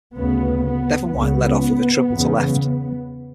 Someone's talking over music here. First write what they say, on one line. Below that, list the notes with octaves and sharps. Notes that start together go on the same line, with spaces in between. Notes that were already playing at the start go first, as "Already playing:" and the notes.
Devon White led off with a triple to left.
D2 C#3 B3
B3
C#2 C#3 B3
E2 C#3